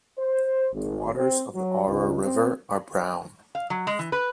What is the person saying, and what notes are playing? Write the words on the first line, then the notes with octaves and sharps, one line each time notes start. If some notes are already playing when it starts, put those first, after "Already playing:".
The waters of the Aura river are brown.
C5
G#1
C4
F#3
C#2
C4
F5
F#3
G#3
E3
B4